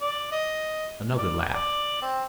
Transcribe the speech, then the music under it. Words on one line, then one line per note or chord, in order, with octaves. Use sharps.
Another laugh.
D5
D#5
D5
D5
C4